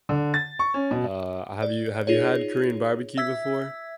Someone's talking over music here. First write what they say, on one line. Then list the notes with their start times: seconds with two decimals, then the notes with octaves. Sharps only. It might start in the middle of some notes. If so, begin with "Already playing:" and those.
uh, have you have you had Korean barbecue before?
0.09 D3
0.34 A6
0.59 C#6
0.74 C#4
0.91 B2
1.62 D5
2.07 D#4 F4 G#4 C#5
3.18 E5 E6 G#6 B6